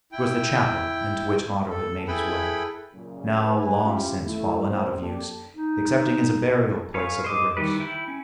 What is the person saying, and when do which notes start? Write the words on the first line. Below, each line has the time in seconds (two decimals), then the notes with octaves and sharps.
It was the chapel into which Otto had made his way, now long since fallen out of use excepting as a burial place of the race.
0.12 E4 G5
1.70 A4
2.08 E4 G#4 A4 B4 G5 B5
2.93 F#2 A#2 C#3
3.45 B4 G#5
3.83 C#4 E4 F4 G4 F5
4.25 A3 E4
4.63 A1 F#2 C3 C5
5.00 A#3 D4 G4 A4 D5 A5
5.55 D#4
6.94 G#4 B4 C#5 F5
7.24 C5 D#5 D6
7.57 D#3 E3 G3 B4
7.80 E4 G5 B5
8.08 C#4